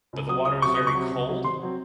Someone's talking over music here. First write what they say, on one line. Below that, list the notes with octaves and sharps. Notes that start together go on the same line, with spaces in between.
but the water was very cold,
C#2
C3 F#3 D#6
C#2 D#6
C3 F#3 C#6
C#2 D#6
C#6
C3 F#3
C#2
C3 F#3
G#1 C6
F#3 C4